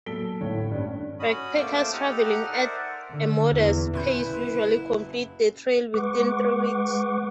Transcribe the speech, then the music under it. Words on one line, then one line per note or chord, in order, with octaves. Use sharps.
Backpackers traveling at a modest pace usually complete the trail within three weeks.
A#2 F#3 A4 B6 D7 G7
G#1 A2 C#5
G2 C#4
C#4 F#4 B5 D#6
A3 A#3 A4 C5 D6 E6
D#4 G4 A4 F#5 D#6 F6
A#4 C5 D5 E5 F#5
D3
E2
F#1 A#2 C#4 E4 B4 C6 G6
G#3 B4 F#5 C#6 D6